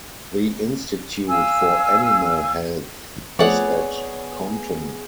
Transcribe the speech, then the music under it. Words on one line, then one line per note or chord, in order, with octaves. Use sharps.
The Institute for Animal Health is at Compton.
F5 G#5 E6
F3 A3 B3 C4 G#4 C#5 D5 F#5